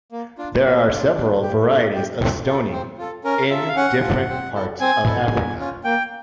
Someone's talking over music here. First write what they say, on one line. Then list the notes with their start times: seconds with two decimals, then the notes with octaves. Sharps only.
There are several varieties of Stoney in different parts of Africa.
0.12 A#3
0.38 D4 F4
0.64 A#3
0.89 D4 F4
1.16 D4
1.42 G4
1.68 D4
1.94 G4
2.20 C4
2.46 F4 A4
2.72 C4
2.98 F4 A4
3.24 C#4 A#4
3.50 F4 A4 E5
3.68 F5
3.76 C#4 F#5
4.02 F4 A4
4.28 C4
4.55 E4 A4
4.80 C4 G#5
5.06 E4 A4
5.33 A#3
5.59 C#4 F4
5.84 A#3 G5